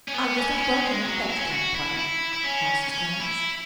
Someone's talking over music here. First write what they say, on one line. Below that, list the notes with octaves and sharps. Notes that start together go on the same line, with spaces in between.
"Are you so broken up that you can't play?" asked Scraps.
C#4
B3
C#4
E4
C#4
B3
G#3
F#3
E4
C#4
E4
F#4
E4
E4
E4
C#4
C#4
E4